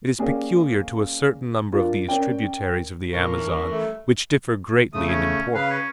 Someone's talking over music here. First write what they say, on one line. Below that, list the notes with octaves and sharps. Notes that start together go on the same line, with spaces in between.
It is peculiar to a certain number of these tributaries of the Amazon, which differ greatly in importance.
A#3 C#4 G4 G#4 D5
D4 F4 A#4
C#4 A#4 D5 G5
A#2 C#4 D4 F4 A#4
E3 G3 E4
A3
C#3 A3 D#6
C#4
C#3 B4 F5
C#4